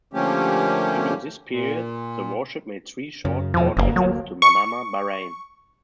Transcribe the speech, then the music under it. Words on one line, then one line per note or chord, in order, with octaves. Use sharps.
During this period, the warship made three short port visits to Manama, Bahrain.
D3 F3 A3 A#3 C#4 G4
A#2
F#2 C#3
E2 B2 F3
F#1 D2 E3 A#3
F#3
C#6